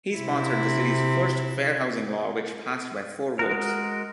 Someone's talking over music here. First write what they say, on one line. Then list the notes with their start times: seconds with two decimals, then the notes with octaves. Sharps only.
He sponsored the city's first fair housing law, which passed by four votes.
0.16 C3 E4
3.39 G#3 F#4 A#4